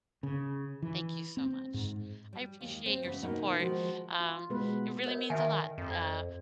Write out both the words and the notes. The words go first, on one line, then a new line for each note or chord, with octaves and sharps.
Thank you so much. I appreciate your support. Um, it really means a lot, uh,
C#3
E3
C4
G#2
G3
D#2 G#3
C4
C#3 E3 G#3 B3
B2 D#3 A#3 D#4
D#3 F3 G#3 F#4
F4
B2 G#3 B3 B4
A#4 C#5 D#5
D#3 E5 G#5
F2
D5